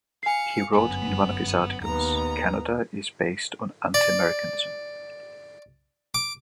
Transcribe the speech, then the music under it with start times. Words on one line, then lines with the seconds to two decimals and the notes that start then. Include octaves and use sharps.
He wrote in one of his articles: Canada is based on anti-Americanism.
0.23 F5 G#5 C7 C#7
0.73 G1 F#2 B3 G#5
1.83 D#2 B3 A#5
3.94 D5
6.14 D6